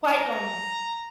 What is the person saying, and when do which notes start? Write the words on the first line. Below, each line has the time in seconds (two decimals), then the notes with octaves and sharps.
Quite normal.
0.19 A#5